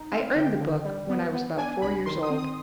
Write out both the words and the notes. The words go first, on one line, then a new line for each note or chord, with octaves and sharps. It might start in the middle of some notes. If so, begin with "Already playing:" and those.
I earned the book when I was about four years old.
Already playing: D#4
C4 F5
D3 G5
D3
G3
B3
B3
D4 G#5
C2 B5
D#3 C6
D#6
C4
D#6